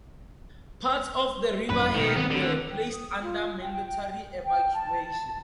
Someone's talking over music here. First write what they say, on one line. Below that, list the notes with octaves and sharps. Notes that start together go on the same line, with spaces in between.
Parts of Riverhead were placed under mandatory evacuation.
G#1 F#2 A#2 B4
G#2 B2 D#3
D2 D#3 B3 C4
D3
G5
D#6
F4
G5
G5
A5